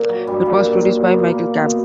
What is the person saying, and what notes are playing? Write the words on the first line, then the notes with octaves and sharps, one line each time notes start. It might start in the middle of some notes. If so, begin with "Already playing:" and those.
It was produced by Michael Kapp.
Already playing: A#2 A#3
F#3
G2 G3
A#2 A#3
F#3
A#3
B3
A#2 A#3
A#2 A#3
B2 B3